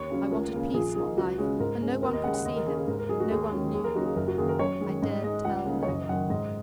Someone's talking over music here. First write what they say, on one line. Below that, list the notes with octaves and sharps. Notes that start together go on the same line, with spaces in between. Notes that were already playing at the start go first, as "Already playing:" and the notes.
I wanted peace, not life. And no one could see him; no one knew--I dared tell no one.
Already playing: D#2 C#5
C#3 F#3 C#4
C#2 A#4
C#3 A#3
A#1 G#4
A#2 A#3 D#4 G#4
C#2 F#4
C#3 G#3 C#4 G#4
G#2 A#4
G#3 C#4
D#2 A#4
D#5
C#3 G#3 F#5
F#5
D#2 D#5
A#4
C#3 A#3 C#4 G#4
G#4
G#2 A#4
A#4
F#3 D#4 G#4
F#4
D#2 G#4
D#3 F#3 C#4
D#2 G#4
A#4
C#3 F#3 A#3 D#4 F#4
G#4
F#1 A#4
F#4
F#2 D#3 A#3 G#4
A#4
F#2 C#5
D#3 G#3 C#4
G#2 D#5
G#3 D#4 D#5
C#2 F#5
C#3 A#3 D#4
C#5
F#1 D#5
F#2 D#3 F#5
G#2 D#5